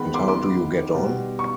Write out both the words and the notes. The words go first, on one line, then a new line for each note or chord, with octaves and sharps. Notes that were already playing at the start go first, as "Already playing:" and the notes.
And how do you get on?
Already playing: D#3 G#3 B3 B5
C6 D6
C6 D6
B2 G3 B3
C#6